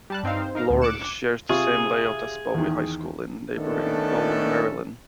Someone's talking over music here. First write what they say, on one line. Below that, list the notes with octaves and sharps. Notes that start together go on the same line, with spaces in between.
Laurel shares the same layout as Bowie High School, in neighboring Bowie, Maryland.
G3 A5 F#6
G2 C4 D#4 F5
C5
D#4 A#4 F5 A#5
D2 A#2
D6 F#6 C#7 E7
C3 F4 G#4 C#6
E2 D#3
D#3 A3 B3 C#4 D4 A4